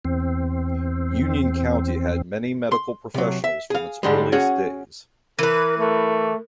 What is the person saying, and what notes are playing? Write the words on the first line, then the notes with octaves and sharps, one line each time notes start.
Union County had many medical professionals from its earliest days.
E2 C4
C6
C3 F#3
E5
G#4 F5
G#2 D3 G3 G#3
C#4 F#4 G#4 F#5
E3 A#4 B4
A3 A#4